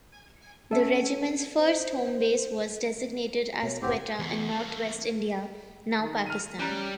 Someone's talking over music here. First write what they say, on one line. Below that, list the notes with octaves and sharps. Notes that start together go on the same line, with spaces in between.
The Regiment's first home base was designated as Quetta in northwest India, now Pakistan.
C#4 A4 E5
C5
B2 C#5
F#1 A2 C4 G4 F#5
E2
A3 A#3
D#3
F6 D#7
G3 C#4 A#5 F#6